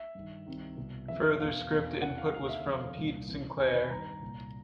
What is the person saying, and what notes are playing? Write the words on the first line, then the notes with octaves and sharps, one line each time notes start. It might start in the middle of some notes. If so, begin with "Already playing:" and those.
Further script input was from Pete Sinclair.
Already playing: E5
G2 D#3
C2 C3 D#3
C2 B2
F2 C#3 E3 E5
E2 B2 F5
E2 B2
E2 C3 E3 F#5
F5
D#2 D3 F5
E5
F2 D3 F5
C2 A#2
C#2 C3 E3
E2 C3 D#3 G#5
B5
G2 D#3 A#5
C2 A#2